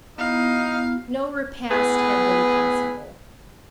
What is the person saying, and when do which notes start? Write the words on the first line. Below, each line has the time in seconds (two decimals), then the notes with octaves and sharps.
No repast had been possible.
0.18 B3 D#4 E4 F#4 F5
1.71 A2 B3 G#4 B4